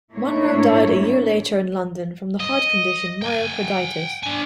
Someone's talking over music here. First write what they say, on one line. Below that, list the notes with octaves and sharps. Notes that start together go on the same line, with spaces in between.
Munro died a year later in London from the heart condition myocarditis.
A2 A3 A#3 D4 E4 C#5
D#5
G5 G#5
D4 G#5